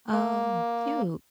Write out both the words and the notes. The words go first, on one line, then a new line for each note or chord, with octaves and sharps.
Oh, cute.
A#3